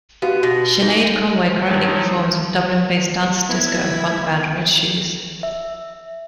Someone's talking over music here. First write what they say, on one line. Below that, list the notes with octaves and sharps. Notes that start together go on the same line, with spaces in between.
Sinead Conway currently performs with Dublin-based dance, disco and funk band, Red Shoes.
B3 F#4 G4 F5
B2 F#4
D#4 G#4
D#3 F3 F#3 D#4 E4
B3 E4 G#6
E5